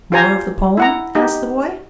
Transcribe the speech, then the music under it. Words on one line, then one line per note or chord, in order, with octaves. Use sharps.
"More of the poem?" asked the boy.
F4 G4 C5 G#5 A#5
E4 F#5 A#5
D#4 G4